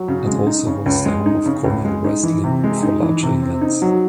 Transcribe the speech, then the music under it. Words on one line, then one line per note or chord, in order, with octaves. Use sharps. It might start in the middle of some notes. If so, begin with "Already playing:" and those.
Its also holds the home of Cornell wrestling for larger events.
Already playing: F#3
C#3
G#3
D#4
C#3
C#2
G#3
D#4
C#3
C#2
G#3
D#4
E3
C3
G#3
D#4
E3
C3
C4
D#4
F#3